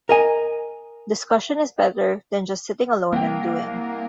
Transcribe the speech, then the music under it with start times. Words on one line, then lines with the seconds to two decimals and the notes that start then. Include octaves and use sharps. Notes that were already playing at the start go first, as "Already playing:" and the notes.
Discussion is better than just sitting alone and doing.
0.09 A#4 D#5 G#5
3.12 C2 A#3 G5